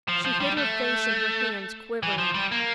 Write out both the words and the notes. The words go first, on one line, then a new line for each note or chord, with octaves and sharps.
She hid her face in her hands, quivering.
F3
F3
G3
A3
E3
F3
G3
A#3